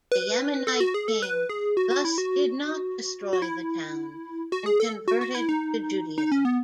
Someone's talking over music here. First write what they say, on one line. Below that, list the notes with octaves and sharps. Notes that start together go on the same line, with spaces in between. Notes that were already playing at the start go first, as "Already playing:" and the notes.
The Yemenite king thus did not destroy the town and converted to Judaism.
B4
A4
F#4
G#4
A4
B4
G#4
F#4
F#4
E4
F#4
F#4
E4
F#4
G#4
A4
F#4
F#4
E4
D#4
D#4
C#4
B3